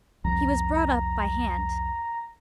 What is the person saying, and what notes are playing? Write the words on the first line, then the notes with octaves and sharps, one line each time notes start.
He was brought up by hand.
C2 F2 F3 A#5